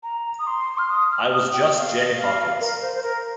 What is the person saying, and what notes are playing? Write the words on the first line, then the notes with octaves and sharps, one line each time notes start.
I was just Jay Hawkins.
A#5
D#6
C6
F6
D#6
F6
D#6
G5
F5
F5
A#4
C5
C5
A#4